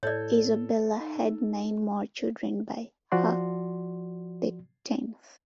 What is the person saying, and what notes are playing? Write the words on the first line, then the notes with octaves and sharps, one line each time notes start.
Isabella had nine more children by Hugh the Tenth.
A2 A4 C#5 D5
D#4
F3 F#4 D5 C6